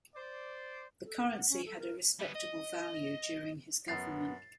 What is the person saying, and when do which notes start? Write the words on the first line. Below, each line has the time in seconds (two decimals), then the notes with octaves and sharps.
The currency had a respectable value during his government.
0.15 C5 D5
1.05 A4
1.27 F#5
1.50 C#4
1.66 A4
1.79 A#4
2.19 G3 B3
2.35 D#5
3.88 F#2 B3 A6 C7